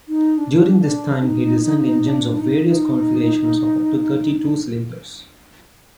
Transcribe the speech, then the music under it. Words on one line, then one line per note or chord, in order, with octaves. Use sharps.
During this time, he designed engines of various configurations of up to thirty-two cylinders.
D#4
D4
D4
D#4
D4
D#4
D#4